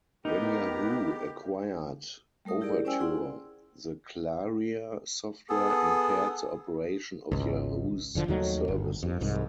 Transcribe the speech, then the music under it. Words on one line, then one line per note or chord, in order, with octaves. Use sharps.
When Yahoo acquired Overture, the Claria software impaired the operation of Yahoo's services.
B3 D#4 G4 A#4
G3 A3 A#4 D#6
E4 G4 G#4 A#4 D5
C#4 C5 D5 G5 G#5 E6
E4 F4 G#4 D5 F#5 C6
B3 G#4 A4
G#1 C#2
E1 D3 F3
D#2 D#3 F#3 A3
G1
F2
C2 G#2